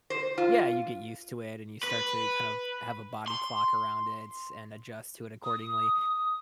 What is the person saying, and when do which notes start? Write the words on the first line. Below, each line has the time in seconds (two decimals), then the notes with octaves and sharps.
Yeah, you get used to it, and you start to, kind of, have a body clock around it and adjust to it, accordingly.
0.10 C5
0.38 F4
1.83 B4
3.28 C6
5.44 D#6